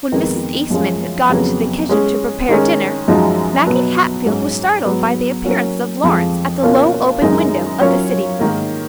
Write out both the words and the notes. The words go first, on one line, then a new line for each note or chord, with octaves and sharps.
When Mrs. Eastman had gone to the kitchen to prepare dinner, Maggie Hatfield was startled by the appearance of Lawrence at the low open window of the sitting-room.
F2 D#3 G#3 B3
F#2 F3 G#3 C#4 F4
F2 C#3 F#3 B3
G#3 C#4 G#4
D#3 G#3 C#4
F#2 F3 G#3 D#4 F#4
B2 F#3 B3
G#2 F#3 C#4
G#2 F#3 B3
F#3 A#3 C#4 F#4
F2 F3 G#3
B2 A#3 C#4 F4 A#4
F#2 D#3 G#3 D#4
F#3 C#4 F4 A#4 C#5
G#2 D#3 A#3